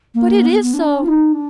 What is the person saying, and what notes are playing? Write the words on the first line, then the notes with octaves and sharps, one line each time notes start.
"But it is so."
A#3
B3
B3
D4
F4
D#4
D4